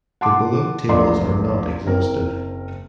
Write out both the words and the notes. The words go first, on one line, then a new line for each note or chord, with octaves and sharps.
The below tables are not exhaustive.
F#5 A5 C6 D6
A#1 E2 A3 D5 A#5 C6
F#1 C4 A#4